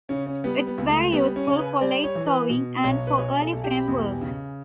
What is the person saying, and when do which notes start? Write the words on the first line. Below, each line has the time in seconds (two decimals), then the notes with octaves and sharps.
It is very useful for late sowings and for early frame work.
0.09 C#3 C#4
0.26 C#4
0.44 G3 B3
0.67 B3
0.78 C#2
0.89 A3
1.12 G3 B3
1.36 C#4
1.47 C#3 C#5
1.59 B4
1.81 G3 D5
2.04 C#5
2.15 E3
2.27 B4
2.50 B2
2.84 B1 C#5
3.07 B4
3.18 B1 C#5
3.42 A4
3.53 B1
3.64 G4
3.88 E2
4.21 C#3